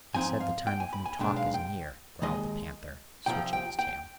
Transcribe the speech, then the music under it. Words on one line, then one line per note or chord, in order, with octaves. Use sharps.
"I said the Time of New Talk is near," growled the panther, switching his tail.
G#2 F3 C4 D#4 G#5
F5
G5
G#5
B5
G#5
B1 B2 G#3 D4 G5
F5
G5
D#2 D#3 G#3 D#5
C2 C3 F3 G5
G5
G5